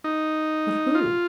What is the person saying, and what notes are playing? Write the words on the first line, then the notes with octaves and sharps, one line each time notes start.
"But who?"
D#4
F4